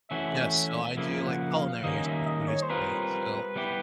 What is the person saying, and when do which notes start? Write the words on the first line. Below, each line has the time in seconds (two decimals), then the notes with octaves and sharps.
Yeah, so I do, like, culinary history, food history. So, it
0.10 E3 A3 C#4 F#4 E5
0.97 C#3 F3 A#3 E5
1.26 F#5
1.55 F5
1.83 D#3 G3 A#3 C#4 D#5
2.05 E5
2.26 D#5
2.48 C#5
2.62 C5
2.70 G3 C4 F4 A#4 B4
3.56 G3 B3 E4 G4